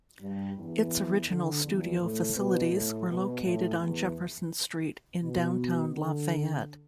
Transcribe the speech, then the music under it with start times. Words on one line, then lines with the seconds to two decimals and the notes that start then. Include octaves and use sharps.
Its original studio facilities were located on Jefferson Street in downtown Lafayette.
0.20 G2 G3
0.56 E2 E3
1.27 D3
1.63 E2 E3
1.99 A2 A3
2.35 B2 B3
2.70 A2 A3
3.06 B2 B3
3.42 A2 A3
3.78 E2 E3
5.22 B2
5.94 D3